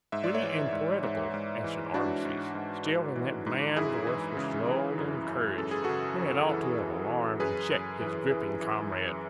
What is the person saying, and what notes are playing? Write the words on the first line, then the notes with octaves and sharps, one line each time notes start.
'Witty and poetical!' answered Arbaces, still in that bland voice which lulled and encouraged, when it ought to have alarmed and checked, his griping comrade.
G#2 E5
D5
C#5 E5
E3
G#2
G#2
G#2
E3
E3 D4 F#4
G#2
G#2
G#2
E3
G#2
F#2 E4 G#4
E3
C#3
E3
F#2
F#2
F#2 A4
G#4
C#3 F#4 A4
F#2
E3
E3
E3
F#2 G#4 B4
F#2
E3
E3
E3
F#2